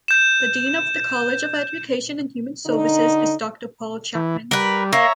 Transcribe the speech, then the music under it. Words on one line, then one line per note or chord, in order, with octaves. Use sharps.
The Dean of the College of Education and Human Services is Doctor Paul Chapman.
G6 E7
D3 D#4
E3
G3 A#4 B4
A#3 C#5 E5 A#5